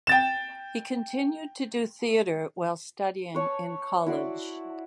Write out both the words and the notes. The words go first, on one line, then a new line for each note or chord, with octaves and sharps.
He continued to do theatre while studying in college.
G5 A6 E7
B4 C#5 G#5 A5
E4 F#4 D5 C6